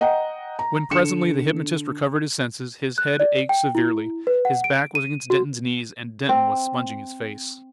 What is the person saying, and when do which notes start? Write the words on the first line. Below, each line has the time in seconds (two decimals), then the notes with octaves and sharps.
When presently the hypnotist recovered his senses, his head ached severely, his back was against Denton's knees and Denton was sponging his face.
0.01 D#5 F#5 G5 A#5
0.59 A#5
0.91 D3 C#7 E7
2.98 F#6
3.20 D5
3.49 G5
3.75 E4
4.27 B4
4.45 F#5
4.64 D7
4.95 D#7
5.30 F#4
6.29 C4